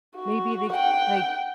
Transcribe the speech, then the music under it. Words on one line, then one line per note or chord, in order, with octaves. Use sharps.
maybe they c like,
F#4
F#5 G5